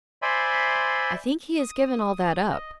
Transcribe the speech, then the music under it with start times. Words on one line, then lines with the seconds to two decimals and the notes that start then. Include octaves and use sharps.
"I think he has given all that up."
0.22 C5 D5 E5 G#5 B5 C6
1.59 D#6
2.51 D#5